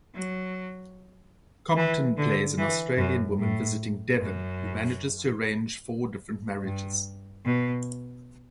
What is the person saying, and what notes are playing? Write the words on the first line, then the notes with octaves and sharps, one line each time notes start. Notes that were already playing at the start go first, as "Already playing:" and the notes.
Compton plays an Australian woman visiting Devon who manages to arrange four different marriages.
F#3
E3
D3
E3
F#2
A2
F#2
G2
B2